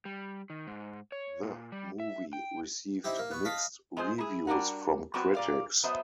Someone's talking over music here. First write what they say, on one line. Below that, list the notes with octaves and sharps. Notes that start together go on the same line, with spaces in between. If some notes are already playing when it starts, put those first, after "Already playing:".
The movie received mixed reviews from critics.
G3
D#3
G#2
C#5
A#2
G3
E5
G5
C4 D#4 E4 G4
A#3
B3 C#6
D#5 F5 A5 B5
G#3 F4 G#4 C5
E4 G#4
G3 D4 D#4 F#4 A#4 F#5
G3 B3 C4 F#4
A#2 D5 F5
F#3 B3 C5 D#5 E5